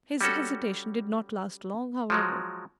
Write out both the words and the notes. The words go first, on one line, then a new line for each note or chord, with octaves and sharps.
His hesitation did not last long, however.
G3 C#4 F#4 A4
F3 F#3 G#3